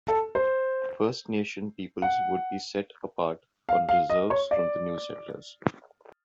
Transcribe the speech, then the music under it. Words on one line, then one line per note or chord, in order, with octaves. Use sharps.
First Nation peoples would be set apart on reserves from the new settlers.
A4
C5
F#5
F5
F5
D#5
C#5
D5